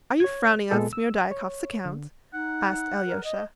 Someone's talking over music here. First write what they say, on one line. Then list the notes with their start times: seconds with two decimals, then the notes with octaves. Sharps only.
"Are you frowning on Smerdyakov's account?" asked Alyosha.
0.20 C#5 G#6
0.71 A#2 G#3 B3 G#4 A4
0.93 E6
1.31 C#5
1.85 D3
2.33 D#4 F#5
3.06 A#4
3.24 D#5